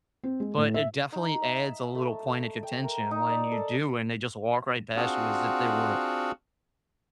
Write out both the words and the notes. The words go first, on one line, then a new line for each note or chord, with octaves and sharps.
but it definitely adds a little point of contention when you do, and they just walk right past you as if they were
C4
G#3
A2
E5
D#4
E5
A3
G5
A#4
D#4
D5
A4
C4 D4 F4 F#4 G#4 F#5